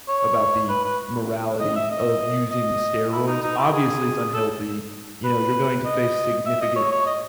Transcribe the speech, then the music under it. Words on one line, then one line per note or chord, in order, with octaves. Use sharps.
about the morality of using the steroids. Obviously, it's unhealthy, you know, you're going to face significant
C#5
B4
B4
D#5
E5
D#5
D#5
E4
D#4
D#4
E4
G#4
A4
B4
D#5
E5
D#5
C#5
C#5
D#5